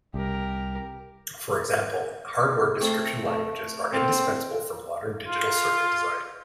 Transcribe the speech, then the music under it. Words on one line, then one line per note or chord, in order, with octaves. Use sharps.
For example, hardware description languages are indispensable for modern digital circuit design.
C2 G4 A#4
A3 C4 A4
A3
C4 A4 F5 F#5
F4